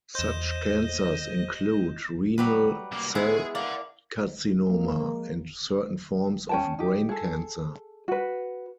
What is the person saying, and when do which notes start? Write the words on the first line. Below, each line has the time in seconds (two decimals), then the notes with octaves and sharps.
Such cancers include renal cell carcinoma, and certain forms of brain cancer.
0.15 E2 C5 D#5 G6 E7
2.38 F#3 G3 B4
2.92 C2 A#3
3.15 G#3 B3 E4 G#4
3.55 A#3 D5 F#5
4.69 F3 G#3 A#3
6.49 C#4 G5 A5
6.79 D#4 G4
7.09 G#4 A4
8.08 F#4 B4